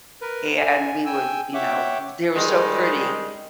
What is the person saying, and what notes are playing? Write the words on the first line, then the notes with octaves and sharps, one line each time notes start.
and we would, you know, they were so pretty,
A#4 B4
G#5
G5 G#5 E6
C#5 E5 F#5 G5 D6
D#3 G3 G#3